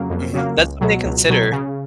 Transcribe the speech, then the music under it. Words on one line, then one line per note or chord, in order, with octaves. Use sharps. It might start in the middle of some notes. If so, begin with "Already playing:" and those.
Mhm, that's something to consider.
Already playing: F2 C#3 F#3 A#3
F2
C#3 F#3 A#3
C#2
B2 F#3
C#2
B2 F#3
C#3